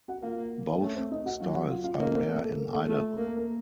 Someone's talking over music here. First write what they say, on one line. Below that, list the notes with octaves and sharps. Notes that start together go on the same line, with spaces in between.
Both styles are rare in Idaho.
F#4 F#5
A#3 F4 F5
A3 C#4 C#5
C4 C5
D#4 D#5
F#4 F#5
F#3 F4 F5
F#4 F#5
F4 F5
F4 F5
A#3 D#4 D#5
C4 C5
A3 A4
A3 A4
A#3 A#4
A3 A4
A3 F4
A#3 A#4
A4
A#3 A#4